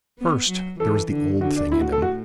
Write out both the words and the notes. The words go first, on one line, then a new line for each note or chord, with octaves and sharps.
First there was the old thing in him.
B3
F#3
E3 A4
D3
D3 F#4
D4
A2 E4
F#4
A4
F#4